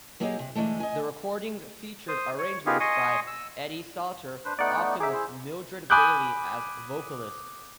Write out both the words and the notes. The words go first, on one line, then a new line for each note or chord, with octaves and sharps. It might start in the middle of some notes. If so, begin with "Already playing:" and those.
The recordings featured arrangements by Eddie Sauter, often with Mildred Bailey as vocalist.
F#3 A#3 B3 D#4 G4 G#4
C3
D3 E3 G#3 A3
D#5 G#5
C5 D#6
C#5
B3 D#4 F4 G4 G#4 A#4
D#5 G#5 C6 C#6 D#6
E6
D4 B4 C5
A3 B3 D#4 D5 F#5
D#4 G#4 E5 D6
E4 C5
G#5 B5 D6 D#6 F#6 G6